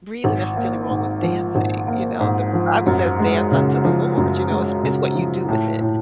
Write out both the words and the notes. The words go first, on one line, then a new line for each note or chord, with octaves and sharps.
really necessarily wrong with dancing, you know? The Bible says dance unto the Lord, you know? It's it's what you do with it,
G#1
A#3
G#2
F3
G#1
A#3
G#2
F3
F#2
G#3
C#3
F3
F#2
G#3
C#3
F3
A2
A2